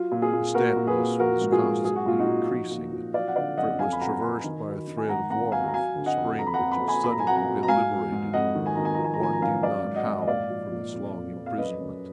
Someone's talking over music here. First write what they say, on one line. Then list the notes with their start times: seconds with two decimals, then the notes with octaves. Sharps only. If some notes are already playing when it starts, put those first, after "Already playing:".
Its dampness was constantly increasing, for it was traversed by a thread of water from a spring which had suddenly been liberated, one knew not how, from its long imprisonment.
Already playing: F#3 F4
0.11 A#2
0.22 F4 G#4
0.33 A#2
0.54 A#2 F#4 A#4
0.76 A#2
0.87 G#4 B4
0.98 A#2
1.20 F3 F#4 A#4
1.41 G#2
1.52 F4 G#4
1.63 G#2
1.85 F#3 G#4
1.96 F#4
2.06 A#2 F4
2.19 D#4 F#4
2.28 F#3
2.49 F3
2.71 A#2
2.93 F3
3.14 F#3 D5 F5
3.28 F#5
3.36 D3 D5 F5
3.57 F#2 D#5 F#5
3.79 F2 F5 G#5
3.92 B5
4.00 F2 F#5 A#5
4.17 A#5
4.22 F2 G#5 B5
4.44 D#3
4.66 F#3
4.87 D#3
4.97 G#5
5.09 G#2 F#5 A#5
5.30 G#2 F#5 A#5
5.52 F#3 F5 G#5
5.68 A#5
5.74 F#3 F5 G#5
5.95 D3
6.06 D#5 F#5
6.17 F2
6.39 F2 A#5
6.47 B5
6.54 F#5 A#5
6.61 F2
6.72 B5
6.82 F2
6.88 G#5 B5
7.04 A#2 B5
7.12 A#5
7.19 G#5
7.25 F#3 F#5 A#5
7.36 F#5 A#5
7.47 F#3
7.63 A#5
7.68 G#2 F5 G#5
7.90 F#3
8.12 G#2
8.33 F2 D#5 F#5
8.55 D#3
8.66 G#5
8.75 D#3 A#5
8.85 G#5
8.94 F3 A#5
9.04 G#5
9.14 A#5
9.20 F3 G#5
9.33 A#5
9.42 F#2 F5 G#5
9.63 F#3 D5 F5
9.85 G#2
9.96 D#5 F#5
10.07 G#2
10.21 D#5
10.28 A#2 D5 F5
10.50 F3
10.71 A#2
10.93 F2
11.15 F2
11.36 F2
11.46 F5
11.58 F#2 B4 D#5
11.80 F#2